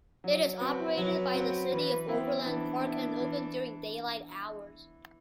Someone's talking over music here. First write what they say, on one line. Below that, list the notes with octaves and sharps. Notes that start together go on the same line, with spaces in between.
It is operated by the City of Overland Park, and open during daylight hours.
F#3
C4 F#4 B4
F#3
C4 F#4
E3 B4
B3 C4 E4
E3 D4
B3 E4
E3